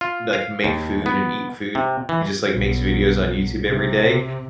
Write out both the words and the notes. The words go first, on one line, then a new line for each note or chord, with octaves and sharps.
like, make food and eat food. He just, like, makes videos on YouTube every day, and
F4
F5
D#2
B3
C3
E3
B1
C3